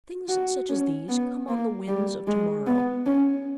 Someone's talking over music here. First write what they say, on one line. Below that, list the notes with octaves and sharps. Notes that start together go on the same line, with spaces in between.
Things such as these come on the winds of to-morrow.
F#4
C#4
B3
A#3
G3
G#3
B3
C#4